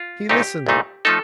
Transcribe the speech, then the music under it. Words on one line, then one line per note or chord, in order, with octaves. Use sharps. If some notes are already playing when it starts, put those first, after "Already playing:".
He listened.
Already playing: F4
C2 A#2 A3 D#4 G4
C2 A#2 A3 D#4
F3 A3 D#4 A4